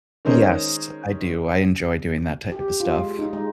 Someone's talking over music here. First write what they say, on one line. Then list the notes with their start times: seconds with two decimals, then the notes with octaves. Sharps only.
Yes, I do. I enjoy doing that type of stuff.
0.25 D#3 G#3 C#4 G#4 A#4 C5
2.52 G4
2.80 F4
2.98 G#3
3.19 D#4
3.33 G#3